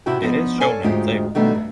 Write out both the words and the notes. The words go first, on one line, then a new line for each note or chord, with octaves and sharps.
It is shown in the table.
C3 E4 F#4 G4 G5
G2 F3 B3 D#4
A4 C#5 D5 F5 G#5 A5
D2 G#2 G#3 F4 G4 C5
B2 D#3 G3 A3 D4 G4
G2